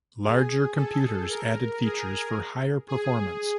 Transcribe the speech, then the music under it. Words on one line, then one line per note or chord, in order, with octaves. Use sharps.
Larger computers added features for higher performance.
G#4
A4
A#4
G#4
G#4